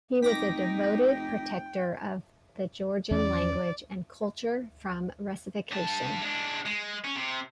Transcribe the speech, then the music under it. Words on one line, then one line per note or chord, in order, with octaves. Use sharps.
He was a devoted protector of the Georgian language and culture from Russification.
F1 D#4 G5 D6 A#6 B6
E2 E3 C#4 D5
G2 A5
G#3 D4
G#3
C#4
C3